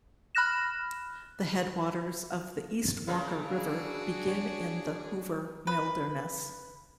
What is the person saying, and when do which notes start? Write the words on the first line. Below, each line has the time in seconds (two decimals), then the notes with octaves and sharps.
The headwaters of the East Walker River begin in the Hoover Wilderness.
0.35 B5 F6 F#6 A#6 E7
3.07 C#3 E3 A#3
3.43 D4 F#4 G#4
4.28 C#5
5.67 B4